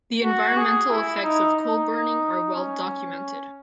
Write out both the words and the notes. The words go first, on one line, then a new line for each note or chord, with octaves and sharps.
The environmental effects of coal burning are well documented.
F#4
G#4
E4
D#4
D#4
C#4